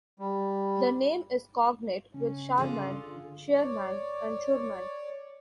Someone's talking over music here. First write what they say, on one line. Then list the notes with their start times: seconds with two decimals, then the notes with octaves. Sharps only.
The name is cognate with Sharman, Shearman and Shurman.
0.19 G3
2.14 C#3 C#4
2.58 D3 F4 G#4
3.53 C#5 D5